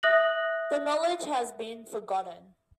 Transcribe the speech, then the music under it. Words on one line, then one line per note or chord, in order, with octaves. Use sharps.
The knowledge has been forgotten.
E5 D#6 F#6 A#6 F#7